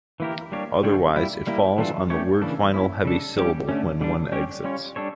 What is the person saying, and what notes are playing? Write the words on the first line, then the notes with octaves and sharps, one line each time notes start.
Otherwise, it falls on the word-final heavy syllable when one exists.
E3 A#3 E4 G4 A#4
G3 A#3 D4 G4 C#5
D3 G3 D4 F4 C#5
G3 A#3 E4
G3 A#3 E4
E3 G3 D4 F4 A4
A3 C#4 G4 C#5
C#3 E3 A#3 D4 A4
A#3 C#4 E4
C#3 G3 D4 A4
G3 C#4 G4
D3 A3 C#4
D3 G3 D4
G3 C#4 G4 C#5
G3 C#4 F4 C#5
G3 D4 A4 C#5